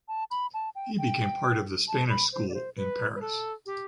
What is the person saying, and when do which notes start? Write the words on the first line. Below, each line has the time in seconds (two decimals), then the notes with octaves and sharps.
He became part of the Spanish School in Paris.
0.08 A5
0.31 B5
0.54 A5
0.75 G5
0.98 G5
1.88 A5
2.10 B5
2.32 C5
2.49 D5
2.54 C5
2.77 B4
3.15 B4
3.21 A4
3.66 G4